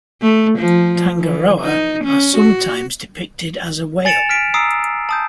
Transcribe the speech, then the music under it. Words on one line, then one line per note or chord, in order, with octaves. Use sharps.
Tangaroa are sometimes depicted as a whale.
A3
F3
E3
D#4
C#4
F#4
G#5 A6 C#7 D7 E7 F7
F6 B6 D7
A#5 D#6 E6 C7 D7
A5 D#6 G6